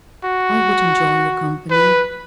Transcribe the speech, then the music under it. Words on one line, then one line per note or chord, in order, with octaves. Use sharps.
"I would enjoy your company."
F#4
B4